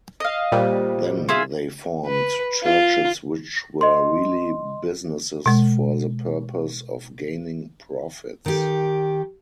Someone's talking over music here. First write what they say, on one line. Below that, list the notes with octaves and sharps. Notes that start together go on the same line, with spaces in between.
Then they formed churches which were really businesses for the purpose of gaining profits.
D#5 F5
A#2 G3 F4 G4 C5
F4 G#4 E5
B4
F4
D#5 C6
B2 G#3
D#3 G4